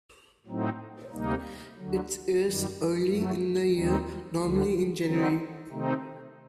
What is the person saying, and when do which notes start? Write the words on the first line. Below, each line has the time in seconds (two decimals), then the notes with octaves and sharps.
It airs early in the year, normally in January.
0.46 A2 F#3 C4 D#4
1.12 D2 C3 G3 A#3 D#4
1.77 D2 D3 F#3
2.43 F#2 D#3 G3
3.09 F#2 F#3 A3
3.74 D#2 D#3 G3 C4 D#4
4.39 D2 D3 G3
5.05 D3 F#3 C4 D#4
5.70 C3 D#3 A3 C4 D#4